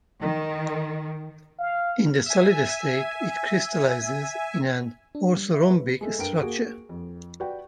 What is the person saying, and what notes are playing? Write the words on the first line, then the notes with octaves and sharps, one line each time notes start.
In the solid state, it crystallizes in an orthorhombic structure.
D#3
F5
E5 G#5
D4
G3
E5
B4
G#3 A3
G2 A#4 B4 G5 D7
A#3 F#4 G#4
F2
F#4 B4 D5 G5